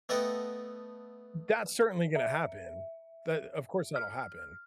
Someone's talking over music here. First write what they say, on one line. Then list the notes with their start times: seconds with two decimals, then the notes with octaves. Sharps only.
That's certainly gonna happen. That of course, that'll happen.
0.09 A3 B3 A4 D#5 F#5 G5
2.16 E5
3.96 F6